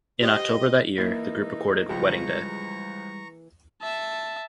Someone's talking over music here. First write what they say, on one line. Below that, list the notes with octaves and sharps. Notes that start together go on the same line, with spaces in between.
In October that year, the group recorded "Wedding Day".
G4 C5 D#5
E3 A#3 D#4 E4
C#2 F3 G3 G#3 A#5 C#6
E5 A5